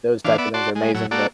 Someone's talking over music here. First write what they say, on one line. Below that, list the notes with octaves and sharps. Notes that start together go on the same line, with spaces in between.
those type of things are amazing, but
E3 D4 F5
B3 D5 E5
F#4 D5 A5 C6
G#3
A2 F#3
A#3 F#4 A4 D5